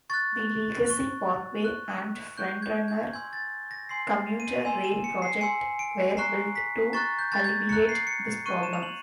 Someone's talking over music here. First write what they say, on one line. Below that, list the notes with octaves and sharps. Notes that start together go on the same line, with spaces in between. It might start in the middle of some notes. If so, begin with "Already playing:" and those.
The Legacy Parkway and "FrontRunner" commuter rail project were built to alleviate this problem.
C#6 F#6 A6
C#6 F#6
C#6 F#6
C#6 F#6 G6
G#6
G#6
G#5 C6 E6 G#6
A6
A#6
G#5 C6 E6 C7
D#7
G#5 C6 E6
E7
C#7
C7
G#5 C6 E6 C#7
D7
A#5 C#6 F#6 C7
B6
A#5 C#6 F#6 A6
G6
A6
G#6
A#5 C#6 F#6 C#7
C7
C#7
A#5 C#6 F#6 D#7
E7
F7
F#7